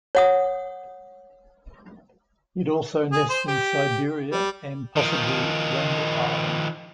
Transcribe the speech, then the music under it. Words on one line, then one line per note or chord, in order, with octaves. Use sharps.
It also nests in Siberia and possibly Wrangel Island.
C#5 F#5 D#6
G#4
C5
G4
G3
D#3 F3